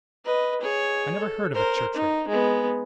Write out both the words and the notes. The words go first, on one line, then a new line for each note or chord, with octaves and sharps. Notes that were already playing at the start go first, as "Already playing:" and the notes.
"I never heard of a church-rate."
B4 D#5
G#4 C#5
A4
A#4 C5
D#4
G#3 B3